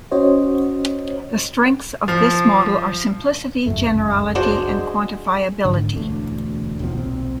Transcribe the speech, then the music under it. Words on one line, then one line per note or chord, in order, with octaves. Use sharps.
The strengths of this model are simplicity, generality, and quantifiability.
C#4 F#4 C5 C#5 D#5
F3
G1 C#2 F#2 A3
G#3 D4 F#4 C5
G#2 D3
E1 D2 A3 D4
D#2 B2 D#3 F3
B1 A#2 C4